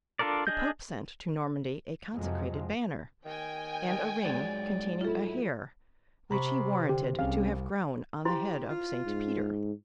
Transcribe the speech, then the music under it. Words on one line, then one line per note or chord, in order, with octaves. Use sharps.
The Pope sent to Normandy a consecrated banner, and a ring containing a hair which he warranted to have grown on the head of Saint Peter.
D4 F4 A4 A#4 D5
D4 G#4 D#5 G6
F2 C3 F3 F#3 G#3
D#3 G5 G#5
D#3
G#2 F#3 G#3 D5
E4 F4 A4
C3 A#5 B5 C#6
D3 G4
C2 C4 C#4 G#4 F5
E4 G4 C5 C6
F4
G#2